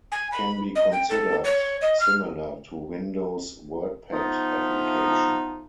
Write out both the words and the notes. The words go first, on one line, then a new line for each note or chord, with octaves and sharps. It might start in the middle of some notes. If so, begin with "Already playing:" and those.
It can be considered similar to Windows' WordPad application.
G#5
B5
D#5
G5
A4
C#5
D#5
F6
F3 A3 B3 D#4